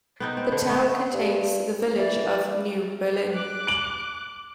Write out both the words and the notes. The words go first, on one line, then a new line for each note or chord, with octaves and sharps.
The town contains the village of New Berlin.
B3 C4 D#4
C4
D3
A3 D#5
G2
E3 D5
D6 F#6
D7 F#7